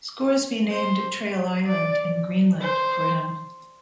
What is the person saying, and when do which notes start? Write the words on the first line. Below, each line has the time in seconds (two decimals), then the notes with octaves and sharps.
Scoresby named Traill Island in Greenland for him.
0.71 C5
1.67 D5
2.61 C5